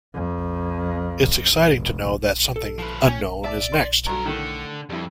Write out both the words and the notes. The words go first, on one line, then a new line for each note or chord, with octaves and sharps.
It's exciting to know that something unknown is next.
F2
F1
A4
F3 B4
C#4 G5 G#5
D5 E5 A5 D6
C6
G2 F#3 A4 A#5
A2 D3 D#3 A3
F2 G3 E4